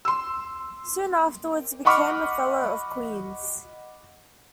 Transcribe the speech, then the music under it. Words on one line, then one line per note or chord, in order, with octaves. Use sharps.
Soon afterwards he became a Fellow of Queen's.
C6 E6
D#5 F#5 B5 C#6 D6 F6